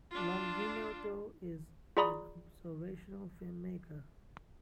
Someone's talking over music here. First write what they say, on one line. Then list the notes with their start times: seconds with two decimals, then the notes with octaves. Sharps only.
Longinotto is an observational filmmaker.
0.11 D4 F4
1.97 F4 G#4 D5 A#5 B5 D#6